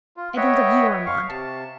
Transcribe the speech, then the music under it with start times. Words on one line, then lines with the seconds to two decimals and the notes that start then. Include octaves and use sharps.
I think of you, Armand.
0.17 F4
0.36 B4 C#5 D#5 E5 F#5 G5
1.06 F5 C#6
1.29 C3 A5